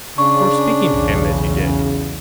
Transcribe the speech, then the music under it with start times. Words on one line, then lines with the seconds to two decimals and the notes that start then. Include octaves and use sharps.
"For speaking to him as you did."
0.18 C#3 D4 C#6
0.89 B1 E2